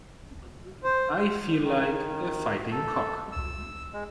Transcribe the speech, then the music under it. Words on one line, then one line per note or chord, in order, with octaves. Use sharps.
I feel like a fighting cock.
C5
D#3
A4
E6
G#3